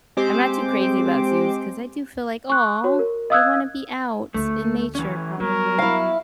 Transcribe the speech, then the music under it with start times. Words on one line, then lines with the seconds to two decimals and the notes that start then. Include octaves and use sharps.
I'm not too crazy about zoos 'cause I do feel like, "Aw, they wanna be out, in nature probably,"
0.17 G#3 C4 G4 C5 D6
2.50 C#6 F#6
2.84 F#4 C#5
2.99 A#4
3.30 D#5 F5 D#6 E6 F#6 G#6
4.34 D2 A3
4.95 E3 C#4
5.40 F#3 G3 B3 A#4
5.79 E4 F5